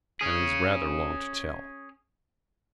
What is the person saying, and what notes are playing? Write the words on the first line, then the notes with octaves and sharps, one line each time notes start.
And it is rather long to tell.
C#4 G#4